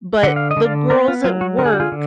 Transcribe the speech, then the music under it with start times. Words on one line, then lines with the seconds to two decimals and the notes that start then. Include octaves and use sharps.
But the girls at work
0.23 D3 F#5
0.36 F5
0.51 D#5
0.57 D3
0.64 D5 F5
0.90 B3 A#4 D5
1.08 F4
1.24 F#3 F4
1.41 F#4
1.58 D3 A#4
1.66 G#4
1.73 F#4
1.80 F4 G#4
1.92 D3